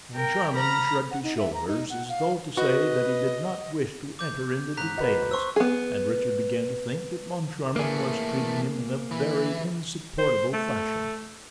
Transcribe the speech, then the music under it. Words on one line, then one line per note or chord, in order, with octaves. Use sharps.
Moncharmin shrugged his shoulders, as though to say that he did not wish to enter into details, and Richard began to think that Moncharmin was treating him in a very insupportable fashion.
A#4 G5
A#5 B5 F6 A#6
F#5
D#4
E5
A#5
D#4
F#5
F5
F#4 B4 D#5
D6 G6
G#2 C#3 A#5 F#6 B6
F#4 B4 D#5
C5 C6 C#6 E6
B3 G#4
E3 A3 A#3 G#4
E3
C5
A3